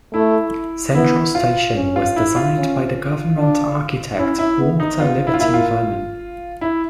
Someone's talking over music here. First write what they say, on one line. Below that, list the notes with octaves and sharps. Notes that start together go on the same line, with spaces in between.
Central station was designed by the Government Architect, Walter Liberty Vernon.
A3 E4
B3 E4
F4
C#4
F4
E4
F4
C#4
D4
C#4 E4
E4
B3
D#4
B3 F4
E4
F4
A#3 E4
F4
E4